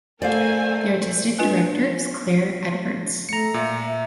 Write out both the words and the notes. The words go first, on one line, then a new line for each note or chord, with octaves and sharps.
The artistic director is Claire Edwardes.
A3 A#4 C5 D5 F5 G#5
D4 F4 B4 D#5 G#5 F#6
A3 A#5 C#7
A#2 E5